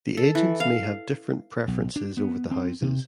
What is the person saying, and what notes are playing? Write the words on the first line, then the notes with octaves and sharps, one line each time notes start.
The agents may have different preferences over the houses.
A4
E3
F5
B1
D4
B3
C4
C3